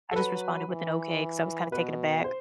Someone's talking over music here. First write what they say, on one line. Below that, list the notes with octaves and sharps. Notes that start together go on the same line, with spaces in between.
I just responded with an okay 'cause I was kinda taken aback.
A4
F#3 B4
E3
B2 B4
C5